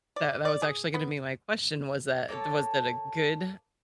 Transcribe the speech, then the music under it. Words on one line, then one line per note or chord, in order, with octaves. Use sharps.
That that was actually gonna be my question. Was that was that a good
D5
D5
G#4
B3
A#3 A4 C#5 A5